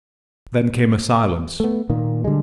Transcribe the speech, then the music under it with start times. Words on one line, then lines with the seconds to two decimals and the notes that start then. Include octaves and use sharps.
Then came a silence.
1.60 A3 B3
1.89 A#2 D#3 A#3
2.24 D3 G3 G#3